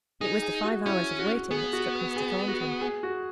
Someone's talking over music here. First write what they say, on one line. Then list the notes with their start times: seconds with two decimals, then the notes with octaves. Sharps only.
It was the five hours of waiting that struck Mr. Thornton.
0.21 D#4 G#4
0.42 G#4
0.64 F#4
0.86 C#4 E4
1.19 F#4
1.50 B3 G#4
1.73 F#4
2.16 G#4
2.48 F#4
2.81 G#4
3.03 F#4